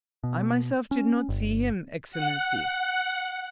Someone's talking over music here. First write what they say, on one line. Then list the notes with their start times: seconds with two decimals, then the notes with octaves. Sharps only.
I myself did not see him, Excellency.
0.24 B2
0.91 C#4
1.29 G1
2.12 F#5